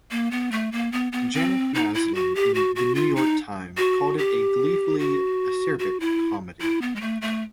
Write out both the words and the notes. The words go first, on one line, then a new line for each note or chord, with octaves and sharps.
Janet Maslin in "The New York Times" called it a "gleefully acerbic comedy".
A#3
B3
A3
A#3
B3
B3
C4
D#4
E4
F#4
G4
F#4
F#4
F4
D#4
F#4
G4
F#4
F#4
E4
E4
B3
G#3
A3
A3